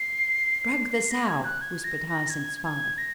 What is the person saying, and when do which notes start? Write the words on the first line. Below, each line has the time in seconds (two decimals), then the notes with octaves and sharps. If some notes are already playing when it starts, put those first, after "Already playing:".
"Drug the sow," whispered Hyacinth's father.
Already playing: C7
0.93 C7
1.10 A#6
1.27 G#6
1.45 F#6
1.61 G#6
1.84 A#6
2.08 A#6
2.30 G#6
2.64 G#6
2.98 A#6